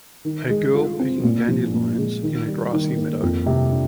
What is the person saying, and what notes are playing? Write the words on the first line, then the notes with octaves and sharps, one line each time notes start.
A girl picking dandelions in a grassy meadow.
D#3
G#3
F4
C4
A#2
F3
A#2
G#3
D#3
G3
D#3
A#3
F2
C3
D4